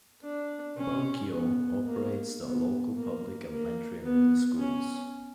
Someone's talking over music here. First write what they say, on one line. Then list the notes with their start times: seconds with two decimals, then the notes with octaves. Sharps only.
Bunkyo operates the local public elementary and middle schools.
0.23 D4
0.77 C#4
1.31 B3
1.86 A#3
2.41 B3
2.94 A#3
3.49 A#3
4.03 B3
4.58 C#4